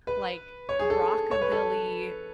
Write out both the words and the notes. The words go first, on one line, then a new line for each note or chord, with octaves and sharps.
like, rockabilly
B4
C#5
G#4
A4
C#5
B4
A4